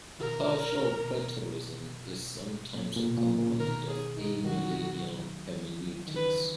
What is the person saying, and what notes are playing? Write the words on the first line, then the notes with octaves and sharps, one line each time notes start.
Partial preterism is sometimes a component of amillennial hermeneutics.
B2 D#3 A#4
B2
A#2
A#2
B2
A#2
A#2 C#3
B2 D#3 A#4
G#4
D#4
D#3 F#3 F#4
D#3
C#3 E3 B4